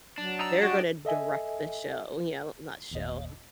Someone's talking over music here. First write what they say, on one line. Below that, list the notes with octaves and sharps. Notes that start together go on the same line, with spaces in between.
they're gonna direct the show," you know, not show.
F#3 D4
D#4 A#5 E6
D4 F#4 D#5 G5
A4 D#5 E5 G#5
G1 D#2 A#2 D#5